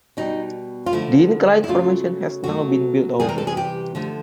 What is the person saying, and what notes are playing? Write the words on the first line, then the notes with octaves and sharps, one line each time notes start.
The incline formation has now been built over.
B2 G3 D#4
F4
D3 F3 A3 E4
E4
C#3 F#3 A3 F4
B2 F#3 A3 F#4
C3 E3 G3 G#4
A#4
A4
G#4
G4
D3 F3 A3